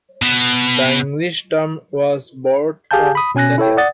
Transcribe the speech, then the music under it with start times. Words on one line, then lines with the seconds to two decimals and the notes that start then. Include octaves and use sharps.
The English term was borrowed from Italian.
0.22 B2
2.91 G4 G#4 F5 G#5 A5 G6
3.15 B5 D#6
3.35 B2 C#4 G#5 F#6 A#6
3.58 E4 A4 C#5 G5
3.77 D5 F#5 D#6 A6